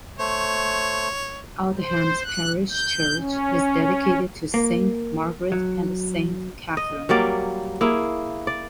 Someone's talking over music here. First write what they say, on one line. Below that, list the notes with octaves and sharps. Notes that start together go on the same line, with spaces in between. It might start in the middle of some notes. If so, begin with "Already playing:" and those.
Aldham's parish church is dedicated to Saint Margaret and Saint Catherine.
A3 C5 C#5
C5
F#6
G6
C#4
A#3
F#3
D#5
F#3 G3 A#3 D5
A#3 E4 G#4
D5